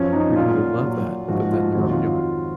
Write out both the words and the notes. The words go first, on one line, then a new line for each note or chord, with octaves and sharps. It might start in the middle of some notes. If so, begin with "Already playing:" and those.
People would love that, put that in their own yard.
Already playing: F#2 F3 C#4
D#4
A#2 F#3 F4
A#2 F#3
G#2 F3 F#4
F4
F2 D#3 F#3 F#4
F4
F4